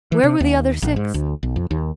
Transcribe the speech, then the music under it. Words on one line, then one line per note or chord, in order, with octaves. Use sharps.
Where were the other six?
E3
C3
D#2
A#1
G#2
D2
B1
F2
D#2